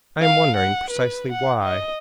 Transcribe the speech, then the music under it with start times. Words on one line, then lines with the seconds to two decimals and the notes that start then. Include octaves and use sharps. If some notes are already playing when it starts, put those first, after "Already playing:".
"I am wondering precisely why."
0.22 F5
0.57 F#5
0.91 B4
1.32 F#5
1.63 D#5